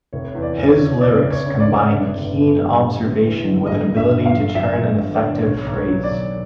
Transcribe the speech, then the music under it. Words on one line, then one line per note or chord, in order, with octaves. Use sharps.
His lyrics combined keen observation with an ability to turn an effective phrase.
F1 C#5
E2
D5
F1
C#5
C#3
C#3 D5
F1
C#5
C#3
D5
F1
G2
G1
G1
G3
G3
G1
E3
G1
G2 D#5
G2
E5
G1
F5
F#3
F#3 E5
F#3
D#5
G1
D5
G1
B1 C#5
B1
C#5
F#3
D5
B1